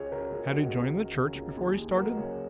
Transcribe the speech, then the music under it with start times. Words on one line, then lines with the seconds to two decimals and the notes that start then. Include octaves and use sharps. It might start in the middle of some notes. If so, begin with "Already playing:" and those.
Had he joined the church before he started?
Already playing: C#2 G#4 C#5
0.11 C#3 F#4 A#4
0.32 C#2 G#4
0.53 C#2 F#4
0.73 C#2
0.94 C#3
1.15 C#3
1.35 C#2
1.56 D#2 G#4
1.76 D#2 G#4
1.97 F#3 F#4 A#4
2.10 D#5
2.18 C#3 G#4 C#5